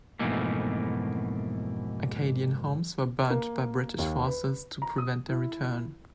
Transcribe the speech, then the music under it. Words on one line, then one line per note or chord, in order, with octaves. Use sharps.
Acadian homes were burnt by British forces to prevent their return.
F2 G#2 B2 E3 A3 A#3
A#3
D#2
B4
A#5
D#6
E4